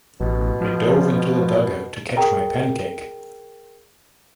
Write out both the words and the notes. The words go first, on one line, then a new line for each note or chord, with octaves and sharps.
I dove into the dugout to catch my pancake.
A1 B2
F3
G#4 A#4 G5 A#5